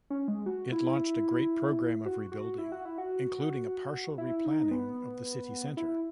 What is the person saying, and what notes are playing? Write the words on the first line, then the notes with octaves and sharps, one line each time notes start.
It launched a great program of rebuilding, including a partial replanning of the city-center.
C#4
G#3
F#4
E4
F#4
F#4
E4
F#4
E4
F#4
E4
D#4
B3
E4